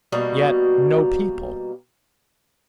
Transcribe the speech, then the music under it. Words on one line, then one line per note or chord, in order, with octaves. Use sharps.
Yet no people.
B2 G3 A#3 F#4